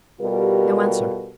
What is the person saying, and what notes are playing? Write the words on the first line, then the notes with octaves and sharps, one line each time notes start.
No answer.
B2 G3 F4 G4 A4 A#4